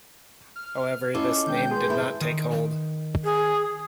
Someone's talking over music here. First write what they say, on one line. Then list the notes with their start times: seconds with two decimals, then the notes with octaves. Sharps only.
However, this name did not take hold.
0.56 F6
1.14 C#4 E4 F4 A4 D#5 D6
1.47 D#3 G#3 D4 G5 G6
1.71 G#4 B4 C6
1.87 A2 E4
2.21 D#3
3.24 G#4